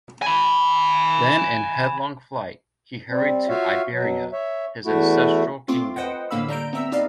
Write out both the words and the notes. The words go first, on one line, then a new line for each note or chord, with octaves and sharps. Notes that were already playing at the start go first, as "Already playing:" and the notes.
Then in headlong flight he hurried to Iberia, his ancestral kingdom.
G#5 B5
G3 C4
F4 F#4 C#5 E5 F5
B2 F#3
C#5 E5
E2 A3 E4 F#4
A3 C4 F4 C6 D6
B4 C5 D#5 F#5 G5
A2 D3 A#3 F5 B5 E6
G3 A#5 G6 D7
B3 C4 E5 A#5 E6
D#4 G4 B4 D5 D#5 F5